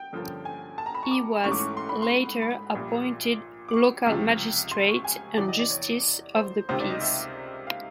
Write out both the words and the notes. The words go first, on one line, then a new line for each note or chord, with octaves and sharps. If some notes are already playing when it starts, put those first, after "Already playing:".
He was later appointed local magistrate and Justice of the Peace.
Already playing: G5
G2 D3 F3 A#3 C#4
G#5
A5
A#5
B5
C#6
D6
G#2 E3 A3 C#4 C#6
D6
C#6
C6
B5
C6
B5
A#1 A#2 G3
D6
C#6
C#2 C3 F3
C6
C#6
G#5
E2 C3 E3 D5
D#5
D5
C#5
C5
C#2 C3 D#3 C5
D5
D#5
E5
F5